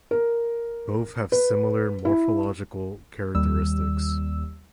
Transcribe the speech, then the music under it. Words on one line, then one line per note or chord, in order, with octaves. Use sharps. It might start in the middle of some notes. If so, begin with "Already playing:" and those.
Both have similar morphological characteristics.
A#4
B4
E4
D#2 G3 E6